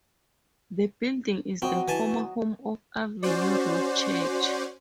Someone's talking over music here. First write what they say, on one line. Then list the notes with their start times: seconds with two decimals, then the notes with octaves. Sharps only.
The building is the former home of Avenue Road Church.
1.62 F#3 C4 D#5
1.88 E3 G#5 A5
3.23 C#4 F#4 C5 D5